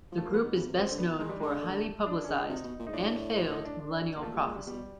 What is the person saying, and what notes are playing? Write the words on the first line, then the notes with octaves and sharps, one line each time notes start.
The group is best known for a highly publicized, and failed, millennial prophecy.
F3
A3
A#3
F3 B3
D#3
C#3
C3
C#3 C4
D3
B3
E3
D#3 G#3
G3
D3 G#3
A3
D4
C#3 C#4
D4
C3 D#4
B2
A#2
G#2 D#4
A2 D4
C4
D#4
D4
D4
A#3
A#2 A3
G3
G#3
G3
B2 G3